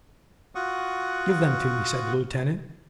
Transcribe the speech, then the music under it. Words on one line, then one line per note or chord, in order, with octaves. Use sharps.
"Give them to me," said the Lieutenant.
F4 F#4 F#5 C#6 D#6